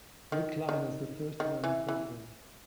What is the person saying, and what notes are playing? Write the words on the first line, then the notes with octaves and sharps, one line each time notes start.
Wickline as the first and only president.
D#3
D#3
D#3
E3
E3